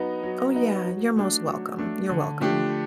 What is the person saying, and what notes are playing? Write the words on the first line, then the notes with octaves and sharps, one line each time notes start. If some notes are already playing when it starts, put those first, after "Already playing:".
Oh, yeah, you're most welcome, you're welcome.
Already playing: F#3 B3 D#4
F#3
B3 D#4
F#3
A3 D4
F#3
A3 D4
D3
F3 A3 D4 G4